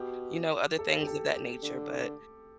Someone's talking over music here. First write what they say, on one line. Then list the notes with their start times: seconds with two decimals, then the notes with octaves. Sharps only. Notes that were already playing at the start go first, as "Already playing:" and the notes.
you know, other things of that nature, but
Already playing: B2 G4
0.79 A4
1.00 G4
1.07 A4
1.35 G4
1.63 D3